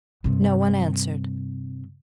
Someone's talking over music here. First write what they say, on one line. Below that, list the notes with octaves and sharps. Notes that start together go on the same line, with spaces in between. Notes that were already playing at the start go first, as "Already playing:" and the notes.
No one answered.
G2 C3